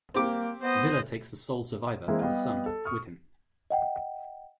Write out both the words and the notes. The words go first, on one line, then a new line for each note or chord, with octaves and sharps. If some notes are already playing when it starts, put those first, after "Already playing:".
Villa takes the sole survivor, the son, with him.
A#3 C4 G4 D6
B3 C5 D#5
E3 G#3 A#3 C4 E4
G3 B3 G4 D#5 F5
A4
C#6 D#6 F6
D#5 F#5 G5